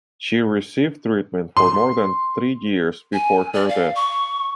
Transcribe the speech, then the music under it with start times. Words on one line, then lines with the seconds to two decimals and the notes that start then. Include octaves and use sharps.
She received treatment for more than three years before her death.
1.57 C6
3.13 G#5
3.53 D5
3.69 F5
3.95 C#6